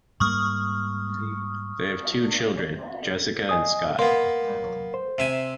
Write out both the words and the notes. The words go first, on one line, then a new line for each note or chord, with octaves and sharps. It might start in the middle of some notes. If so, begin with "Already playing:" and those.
They have two children, Jessica and Scott.
G#2 G3 A#3 C#6 D#6 F6
D#5 G#5 D#6
A#3 B3 C6
C5
C3 E5 G#5